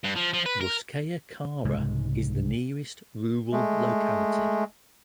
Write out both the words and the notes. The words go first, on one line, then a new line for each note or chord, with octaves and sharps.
Russkaya Kara is the nearest rural locality.
G2
F3
F3
B4
A#4
C2 G#2 C#3 G#3
G#3 A3